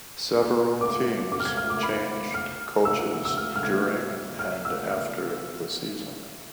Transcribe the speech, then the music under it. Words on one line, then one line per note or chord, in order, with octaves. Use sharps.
Several teams changed coaches during and after the season.
D6
D6
F6
G#6
F6
D6
B5
F6
E6
E6
F6
F6
G#6
F6
E6
F6